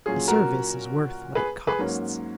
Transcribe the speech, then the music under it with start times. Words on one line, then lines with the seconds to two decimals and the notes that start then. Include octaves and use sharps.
A service is worth what it costs.
0.06 A#2 F#3 C#4 F4 G#4
0.28 F#4 A#4
1.35 G#4 B4
1.67 G#4 B4
1.79 G#2 F#3 A#3 C#4